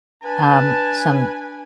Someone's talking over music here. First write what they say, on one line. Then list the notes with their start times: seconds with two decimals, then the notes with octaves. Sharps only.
um, some
0.24 D4 B4 G#5 A5